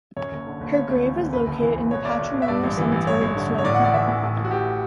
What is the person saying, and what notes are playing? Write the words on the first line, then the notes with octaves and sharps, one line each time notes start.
Her grave is located in the Patrimonial Cemetery of Cuenca.
F#2 C#5
F#1
D3
F#1
C#3 C#5
D2
E3
D2
F#2 B4
F#1
E3
F#1
B2 C#5
B1 D5
B1
B2
E5
G2 D5
A1
E3
A1
G2 C#5
A1
D3
A1
C#5
A2 D5
F#5
A1 D5
E3 E5
A1
A2
A1
F#4
E3 G4